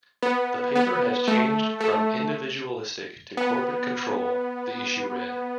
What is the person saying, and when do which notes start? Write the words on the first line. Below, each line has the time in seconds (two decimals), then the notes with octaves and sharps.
The paper has changed from individualistic to corporate control, the issue read.
0.22 B3
0.75 B3
1.28 A3
1.81 A3
3.37 B3